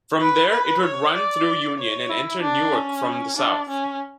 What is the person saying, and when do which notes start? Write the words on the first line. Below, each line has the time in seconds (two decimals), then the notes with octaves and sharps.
From there it would run through Union and enter Newark from the south.
0.20 B4
0.52 B4
0.83 C#5
1.15 D5
1.78 C#5
2.10 E4
2.41 D4
2.73 C#4
3.36 D4
3.69 C#4